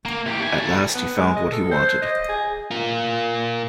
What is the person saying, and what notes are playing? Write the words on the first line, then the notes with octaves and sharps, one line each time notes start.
At last he found what he wanted.
A#3
E3 G4
D#2 G#5
F#3 A4
B3
G#3
D#5
A4
C5
D#5
G#4
F4 A#4